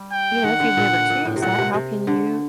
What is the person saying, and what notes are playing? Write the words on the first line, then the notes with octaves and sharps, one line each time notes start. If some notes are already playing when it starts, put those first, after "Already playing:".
you know, if you've never experienced that, how can you
Already playing: G3
G5
D#3 F#5
D3
A#2
A#2
A2
C3
A#2 F#5
C3
C3
D3